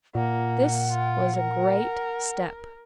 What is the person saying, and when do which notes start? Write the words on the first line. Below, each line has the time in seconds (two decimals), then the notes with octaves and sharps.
This was a great step.
0.15 A#2 A#3 F#5
0.91 F4
1.37 A#4